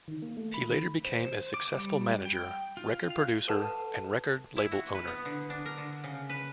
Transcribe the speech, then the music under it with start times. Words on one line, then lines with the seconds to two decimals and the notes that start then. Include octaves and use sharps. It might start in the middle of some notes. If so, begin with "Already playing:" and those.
He later became a successful manager, record producer and record label owner.
0.08 D#3
0.22 A#3
0.37 A3
0.54 B5
0.69 D#3
1.05 C5
1.54 D6
1.74 G3
2.25 G5
2.77 F4
3.10 F5
3.48 A4 B4 F#5 A5
4.57 E4
4.71 F#4
4.95 B4
5.07 B3
5.25 D3
5.50 D4
5.65 A#4
5.78 D3
6.04 C#3
6.29 B4